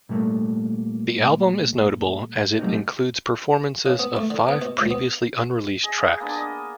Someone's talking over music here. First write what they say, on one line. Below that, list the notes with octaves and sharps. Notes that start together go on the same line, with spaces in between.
The album is notable as it includes performances of five previously unreleased tracks.
A#2 G3 A3 A#3
F#3 G3 A3 A#3 C4 D#4
C#3
B3
A3
D3
B3
B2
C#2
B3
G#4 D#5
G#5
A#3 B3 D4
D#5